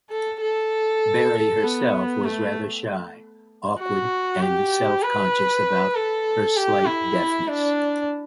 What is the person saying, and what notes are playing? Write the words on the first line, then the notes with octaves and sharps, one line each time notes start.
Barry herself was rather shy, awkward and self-conscious about her slight deafness.
A4
A4
B3
A3
F#4
G4
B4
A4
G4
E4
D4